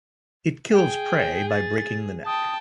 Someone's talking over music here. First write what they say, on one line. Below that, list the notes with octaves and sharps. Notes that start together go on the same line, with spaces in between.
It kills prey by breaking the neck.
G#4 G5
A6
G5 A5 D#6